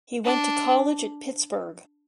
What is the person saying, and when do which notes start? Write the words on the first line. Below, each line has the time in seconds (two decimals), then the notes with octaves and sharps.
He went to college at Pittsburgh.
0.24 D4